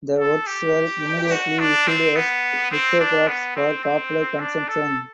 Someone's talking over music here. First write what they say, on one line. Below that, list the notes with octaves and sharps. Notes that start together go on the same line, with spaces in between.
The works were immediately issued as lithographs for popular consumption.
A4
G4
F#4
D4
C4
B3
C4
D4
B3
C4
C4
D4
A4